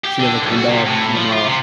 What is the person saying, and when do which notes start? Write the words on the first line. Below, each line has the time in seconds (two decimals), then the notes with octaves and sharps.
She never came back from a
0.04 G4
0.19 D3
0.43 B1
0.56 F#4
0.69 C3
0.86 A2
1.16 F3
1.33 F4
1.46 C3